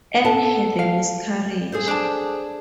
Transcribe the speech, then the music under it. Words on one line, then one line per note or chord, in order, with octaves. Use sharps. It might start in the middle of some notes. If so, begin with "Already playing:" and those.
Anne had a miscarriage.
A4 F#5 A5
F5
G#4 A4 C5
D4 A5